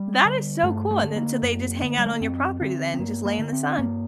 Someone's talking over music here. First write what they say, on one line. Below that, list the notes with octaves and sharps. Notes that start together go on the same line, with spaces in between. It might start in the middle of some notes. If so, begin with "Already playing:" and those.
That is so cool, and then so they just hang out on your property then, just lay in the sun.
Already playing: G3
D3
G2 A3
A3
D3
A#3
F#2
D3
G3
A3
A#3
F#2 C4
D3 C4
C4
G2 A#3
A#3
D3
C4
G2 A#3